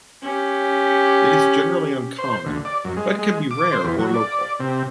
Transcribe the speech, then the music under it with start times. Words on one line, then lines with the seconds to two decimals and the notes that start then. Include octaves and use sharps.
It is generally uncommon but can be rare or local.
0.23 C#4 G4
2.19 C5
2.46 D2
2.65 D5
2.85 F#2
2.97 G#3
3.19 G#3
3.51 D6
3.72 C5
3.85 E2
3.98 F#3
4.14 D5
4.60 C3